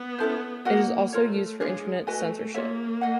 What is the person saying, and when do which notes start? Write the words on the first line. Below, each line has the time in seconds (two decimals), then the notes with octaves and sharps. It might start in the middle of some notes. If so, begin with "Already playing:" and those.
It is also used for Internet censorship.
Already playing: B3
0.19 C#4 E4 A4 C5
0.65 A#3 F#4 A#4 D#5 F#5
1.12 A3 F4 A#4 C#5
1.60 G#3 D4 F4 G#4 C#5
2.07 A3 F#4 B4 D#5 G#5
2.54 A#3 F4 G#4 C#5 E5
3.01 D#5 F#5